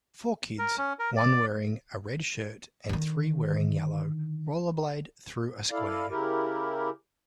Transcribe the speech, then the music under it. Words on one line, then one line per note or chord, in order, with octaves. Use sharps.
Four kids, one wearing a red shirt and three wearing yellow, rollerblade through a square.
A#4
C#4
A#4
D5
D3 D#3
E4 A4 D5 F5
C#3 E4 G4 A#4